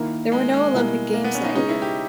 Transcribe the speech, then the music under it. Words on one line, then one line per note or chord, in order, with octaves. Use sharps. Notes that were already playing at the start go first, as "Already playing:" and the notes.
There were no Olympic Games that year.
Already playing: D#3 A#3 E4 A#4
G#3
G#3
B2 G3 A#3 E4 A#4
A#3
B3
C#4
D#4
C#3 G#3 C#4 D#4 G#4 B4
E4
G4